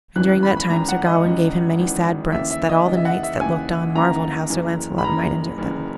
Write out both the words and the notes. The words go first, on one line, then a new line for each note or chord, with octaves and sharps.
And during that time Sir Gawain gave him many sad brunts, that all the knights that looked on marvelled how Sir Launcelot might endure them.
G#1 F#2 E3 F#6
F#6
B5
B5
G#1 F#2 E3 A#5
F#5
D#5
G#1 F#2 E3
G#1 F#2 E3
D#2 C#3 E3 E5
E5
D#5
D#2 C#3 E3
E5
F#5
E5
D#2 C#3 E3 G#5
D#2 C#3 E3 A#5
F#1 F#2 E3
B5
F#1 F#2 E3 A#5
F#1 F#2 E3